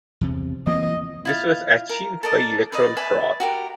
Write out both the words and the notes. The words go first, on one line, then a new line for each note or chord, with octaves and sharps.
This was achieved by electoral fraud.
E2 C3
E3 A#3 C4 D#5
E4 F4 F5
A#4
A4 A#4 D5 D#5
B4 D5 D#5
B4 D5 E5 G#5
F#4 G4 A#4